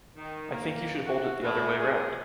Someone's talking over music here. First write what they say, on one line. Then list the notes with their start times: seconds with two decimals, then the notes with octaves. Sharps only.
I think you should hold it the other way round.
0.15 D#3
0.52 A#3
1.05 F#4
1.43 A2
1.78 G#4